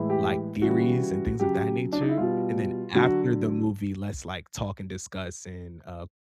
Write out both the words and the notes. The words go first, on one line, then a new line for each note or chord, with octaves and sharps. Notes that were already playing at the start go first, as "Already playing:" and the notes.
like, theories, and things of that nature, and then after the movie, let's, like, talk and discuss and, uh,
Already playing: A2 E3 G#3
G4
C#3 E3 G3 F#4
C#3 F#3 G4
D4
D#4
E4
B2 G3 F4
D3 F#3 F#4